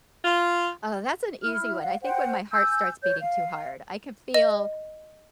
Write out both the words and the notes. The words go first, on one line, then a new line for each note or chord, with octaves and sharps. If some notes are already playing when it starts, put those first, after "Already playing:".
Oh, that's an easy one, I think when my heart starts beating too hard, I can feel,
F4
E4 F6
F5 F#5
C5 F#5 G5
G#5 E6 G6
C#5 G6
F5
D#5